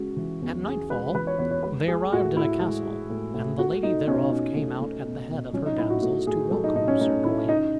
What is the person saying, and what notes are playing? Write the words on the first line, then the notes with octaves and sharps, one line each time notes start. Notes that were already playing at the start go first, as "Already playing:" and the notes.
At nightfall they arrived at a castle and the lady thereof came out at the head of her damsels to welcome Sir Gawain.
Already playing: C#3 G#3 F#4
E3
E2
C#3 G#4
G#3 B4
E3 B4
C#5
E2 C#5
C#5
G#3 B4
G#3 G#4
A2 F#4
A2 E4
G#3
G#3
A2
A2
A3 F#4
A3 D#4
B2 C#4
D#4
B2 C#4
A3
A3
B2
B2
F#3 C#4
D#4
A2 E4
F#4
A3 F#4
A2 G#4
F#3 A4
D#4
A2 D#4
C#4
A3 D#4
A2 E4
C#3 D#4